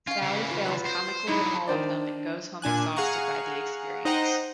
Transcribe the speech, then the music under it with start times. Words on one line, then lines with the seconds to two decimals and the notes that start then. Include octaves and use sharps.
Sally fails comically at all of them and goes home exhausted by the experience.
0.07 C#4 F4 F5
0.22 C#3 E3
0.51 F4
0.65 F4 F#4 B4
0.86 C5
1.27 D3 F#3 G3 D#4 E4
1.67 D#3 D4 C5 D5
2.62 A#2 D4 G#5 F#6
2.96 G#4 F5 F#5 A#5 C#6
4.05 D#4 C5 D#5 F#5 G5 A#5